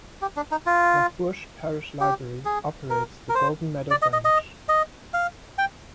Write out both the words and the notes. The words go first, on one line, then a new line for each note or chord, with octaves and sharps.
Lafourche Parish Library operates the Golden Meadow Branch.
G4
D4
D#4
F4
G4
G#4
A#4
A#4
C5
D5
D#5
D#5
D#5
D#5
F5
G5